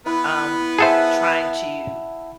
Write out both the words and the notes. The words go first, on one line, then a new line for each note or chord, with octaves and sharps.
um, trying to
B3 E4 B4
G#4 A4 C5 E5 F#5 A5